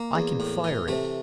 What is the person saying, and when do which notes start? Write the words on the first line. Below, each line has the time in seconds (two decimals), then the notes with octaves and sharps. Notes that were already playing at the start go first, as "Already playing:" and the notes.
I can fire it.
Already playing: A#3
0.15 E2
0.40 A2
0.64 E3
0.88 C3 A3